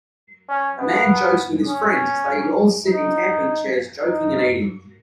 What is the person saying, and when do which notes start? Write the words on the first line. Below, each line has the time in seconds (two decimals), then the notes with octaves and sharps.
A man jokes with his friends as they all sit in camping chairs joking and eating.
0.49 C#4
0.78 B3
1.67 C#4
2.86 D#4
4.05 D#4